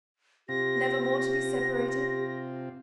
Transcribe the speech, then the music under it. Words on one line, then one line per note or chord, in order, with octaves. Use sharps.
"Never more to be separated?"
C3 C4 F4 G4 A#6